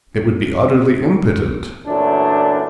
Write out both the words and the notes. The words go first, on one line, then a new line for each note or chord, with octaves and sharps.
'It would be utterly impotent.'
F#2 A#2 E3 A3 D4